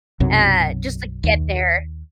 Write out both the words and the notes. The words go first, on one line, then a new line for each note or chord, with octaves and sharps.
uh, just to get there.
B1 F#2 C3 F#3
D#2